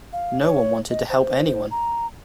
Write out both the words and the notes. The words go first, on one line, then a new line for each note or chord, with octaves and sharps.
No one wanted to help anyone.
F5
C#5
D#5
C5
A#5